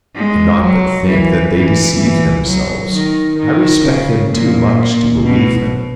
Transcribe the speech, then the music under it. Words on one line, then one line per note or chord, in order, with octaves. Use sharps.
I cannot but think that they deceive themselves; I respect them too much to believe them.
G#3
F#3
E3
E3
E3
F#3
D#3
D#3
C#3
A#2
A#2
B2